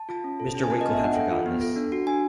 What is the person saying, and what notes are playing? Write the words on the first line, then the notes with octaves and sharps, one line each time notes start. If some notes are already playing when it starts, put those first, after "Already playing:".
Mr. Winkle had forgotten this.
Already playing: A5
F4
C#4
A4
C#4
G#5
F4 A5
B3 D#5
E5
D4 F#5
A4 G5
F4
B3
A4
D4
F#4
D4 G#5